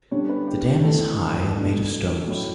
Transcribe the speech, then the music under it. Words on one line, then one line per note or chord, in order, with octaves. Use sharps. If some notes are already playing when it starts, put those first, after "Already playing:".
The dam is high and made of stones.
D3 G3 C#4 D4 C#5
B3 B4
G4
G4
E3 A3 D4 A4
B2 A3 D4
A2 F#3 C#4 E4